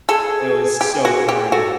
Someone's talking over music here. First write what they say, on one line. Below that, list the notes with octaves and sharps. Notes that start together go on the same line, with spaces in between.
It was so corny.
G#4 A4
G4
F#4
G4
F#4 A4